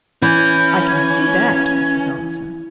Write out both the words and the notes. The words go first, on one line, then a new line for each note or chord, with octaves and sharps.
"I can see that," was his answer.
E3 C#4 G6
G#6